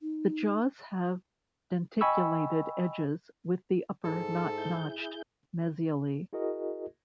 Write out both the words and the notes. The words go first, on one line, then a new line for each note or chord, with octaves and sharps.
The jaws have denticulated edges with the upper not notched mesially.
D#4
D#5 G5 G#5 B5 C#6 E6
G#2 A4
E4 G#4 G6
E4 F#4 G#4 A#4 D#5